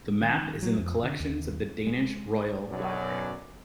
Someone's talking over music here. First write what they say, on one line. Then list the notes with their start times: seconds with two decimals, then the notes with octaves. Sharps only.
The map is in the collections of the Danish Royal Library.
0.22 D#3
0.62 F#3
0.78 F2
1.03 D3
1.20 D#2
1.87 G#3
2.69 B1 F#2 B2 F#3 C#4 D5